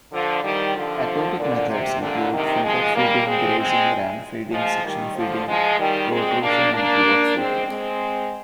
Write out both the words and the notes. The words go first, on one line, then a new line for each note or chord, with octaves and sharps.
Aquatic methods include filterfeeding, grazing, ram feeding, suction feeding, protrusion and pivot feeding.
D3 F3
D#3 G3
D3 F3
A#2 D3
C3
A#2 D3
C3 D#3
F3 G#3
G3 A#3
G#3 C4
G#3 C4
F3 G#3
D#3 G3
D3 F3
F3 G#3
D#3 G3
G#3 C4
A#3 D4
A#3 D4
G#3 C4
G#3 C4